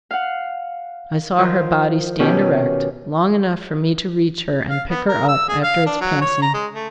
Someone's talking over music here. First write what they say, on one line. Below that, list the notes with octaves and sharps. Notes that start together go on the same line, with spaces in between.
I saw her body stand erect, long enough for me to reach her, and pick her up, after its passing.
F5 F#5
D#3 F3
B2 D#3 C#4 G4
F5
B3
A#4
E6
G#4
F5
D4
F#3
C#5
A#5
G#3
A3